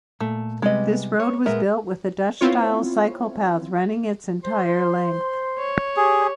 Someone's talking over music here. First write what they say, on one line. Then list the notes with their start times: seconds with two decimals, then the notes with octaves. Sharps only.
This road was built with a Dutch style cycle path running its entire length.
0.20 A#2 A3
0.62 C3 G3 G#3 B3 D#5
1.20 C#5
1.46 A#2 G#3 B3 A#4 E5
2.41 B3 C4 E4 F4 C#5
4.44 C5 C6
5.59 C#5
5.96 G4 G#4